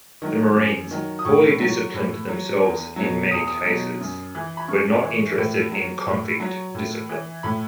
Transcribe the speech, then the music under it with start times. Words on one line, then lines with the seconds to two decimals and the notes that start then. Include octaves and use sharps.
The marines, poorly disciplined themselves in many cases, were not interested in convict discipline.
0.22 D#3 F#3
0.57 F#2
0.91 D#3 F#3
1.19 D#6
1.25 A2 C#6
1.60 F#3
1.94 A2
2.28 F#3
2.63 E2
2.96 B2 F#3
3.31 E2 D#6
3.47 D#6
3.65 B2 F#3
4.00 F#2
4.35 E3
4.57 B5
4.68 F#2 C#6
5.03 E3
5.37 A2
5.72 F#3
6.06 A2 C#6
6.40 F#3
6.75 A2
7.09 E3
7.43 A2 B5